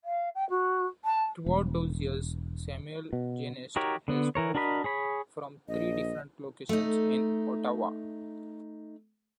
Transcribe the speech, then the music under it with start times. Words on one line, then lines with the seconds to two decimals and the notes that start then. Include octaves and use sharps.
Throughout those years, Samuel-Genest has moved from three different locations in Ottawa.
0.04 F5
0.35 G5
0.50 F#4
1.05 A5
1.46 E1
3.13 B2
3.76 D#4 F#4 G4 A#4 C#5
4.08 D3 B3
4.35 E3 A#4 C#5
4.55 D4 F#4 A#4 D#5 B5
4.84 G#4 C#5 B5
5.68 A#1 D#5
6.69 A3 D#4